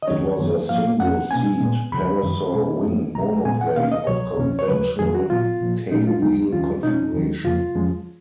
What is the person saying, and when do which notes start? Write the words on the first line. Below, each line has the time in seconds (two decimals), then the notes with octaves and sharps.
It was a single-seat parasol wing monoplane of conventional tailwheel configuration.
0.02 D#5
0.07 D#2 D#3 F#3 C#4 C#5
0.39 F#2 D#3 F#3 B3
0.69 G#2 F3 A#3 F5
1.00 F2 F3 A#3 C#4 F#5
1.31 B2 A#3 C#4 G#5
1.61 A#2 G#3 B3
1.92 D#2 C#3 F3 B5
2.23 F#2 D#3 F#3
2.53 B2 G#3 C#4
2.84 F#2 F3 B3
3.15 C#2 B2 F#3 A#5
3.45 A#2 G#3 B3 G#5
3.61 F#5
3.76 B2 A#3 C#4 F5
3.92 D#5
4.07 C#2 B2 F#3 C#5
4.37 C#2 B2 A#3 C#4
4.59 C#5
4.68 D#2 C#3 F#3 B4
4.99 F2 D#3 F#3 A#3 G#4
5.15 F#4
5.30 A#2 F#3 B3 F4
5.61 A#2 F3 A#3
5.91 A#2 F#3 C#4 D#4
6.07 F4
6.22 D#2 C#3 F#3 B3 D#4
6.53 D#2 D#3 F#3 C#4 F4
6.83 B2 G#3 C#4 D#4
7.14 D#2 D#3 F#3
7.45 F2 C#3 F3 A#3 F4
7.75 F2 F3 G#3 C#4